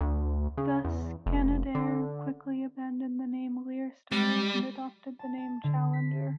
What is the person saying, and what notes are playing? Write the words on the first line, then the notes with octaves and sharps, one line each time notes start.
Thus, Canadair quickly abandoned the name "LearStar" and adopted the name "Challenger".
D2
C#3
E2
F1
D3
G3 G#3
A5
A5
D3
B6